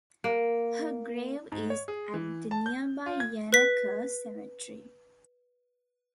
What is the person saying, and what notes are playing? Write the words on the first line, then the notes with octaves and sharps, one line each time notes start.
Her grave is at the nearby Yanaka Cemetery.
A#3
G#2
C#5
G#4
E3
A5
G6
F4
G#6
B4 B6